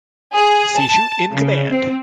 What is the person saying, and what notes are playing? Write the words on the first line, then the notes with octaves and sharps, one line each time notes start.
C. Shute in command.
G#4
A5
C#3
C4